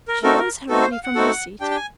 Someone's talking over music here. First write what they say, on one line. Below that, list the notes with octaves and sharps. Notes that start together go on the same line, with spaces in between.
She rose hurriedly from her seat.
A#4
A3 C4 D#4 F#4 A4 A#4
A#4
A3 C4 D#4 F#4 A4
C5
F5
F#5
A3 C4 D#4 F#4 A4
D4 G4 G5
G5
G#5